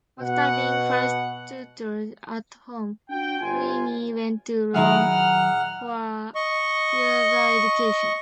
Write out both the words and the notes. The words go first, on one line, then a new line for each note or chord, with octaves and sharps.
After being first tutored at home, Pliny went to Rome for further education.
B2 F#5
D4 F#4 G5
G1 F4 G#5
A#2 D#3 F#3 D#4 E4 G#4 F#5 F6
D#5 C#6